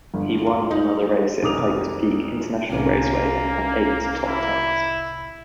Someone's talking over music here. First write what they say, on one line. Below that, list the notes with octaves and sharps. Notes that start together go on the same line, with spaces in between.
He won another race at Pikes Peak International Raceway and had eight top-tens.
G1
F4
D#4
F1 B1 D#3 D6 D#6 F7
C2 A2 C3 A#3 C#4
E4